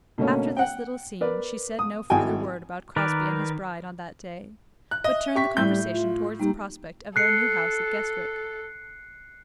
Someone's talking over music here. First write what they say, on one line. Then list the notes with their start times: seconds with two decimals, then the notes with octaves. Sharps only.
After this little scene she said no further word about Crosbie and his bride on that day, but turned the conversation towards the prospect of their new house at Guestwick.
0.18 B2 D3 A3 A#3 C#4
0.57 F#5 G5
1.21 A#4 B4 D5
1.79 D#6
2.10 G#1 E4 F#4 G5 G#5
2.96 D#3 A#4 B4 D5
4.91 F#6
5.04 D#5 E5
5.35 G4 C#6 B6
5.57 A2 G3 G6
5.93 F4
6.40 G3 A#3 D#4 G4
7.16 A4 F#6 C7 C#7